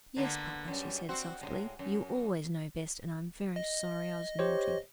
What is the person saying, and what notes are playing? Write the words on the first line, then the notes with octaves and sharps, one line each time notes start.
"Yes, papa," she said softly; "you always know best, and I am very sorry I was naughty."
D3 A#3 B3
F#2 G3
C4 F#4
A2 C3 G#3
F#2
D#5
G4 C5 C#5